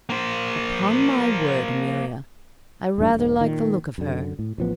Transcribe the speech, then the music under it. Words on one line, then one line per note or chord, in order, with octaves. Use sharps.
'Upon my word, Amelia, I rather like the look of her.
A#3 C5
D#1 E2 G2 D4
E1 G#2
A#2 D#3
F#2 D3
A2
A1 F3 B3